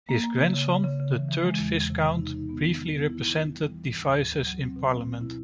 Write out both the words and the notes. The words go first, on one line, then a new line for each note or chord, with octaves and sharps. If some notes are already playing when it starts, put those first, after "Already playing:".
His grandson, the third Viscount, briefly represented Devizes in Parliament.
A#3
A#3
C#3
C#3
C#3
C#3
C#3
E3
E3
G#3
E2
E2
C3
C3
D#4
D#4
B3
D#3
G3
B3
E4
E4
E3
G3
E3
G#2
D2
D2
F#3
F#3
C4
B2
C4
B2
E4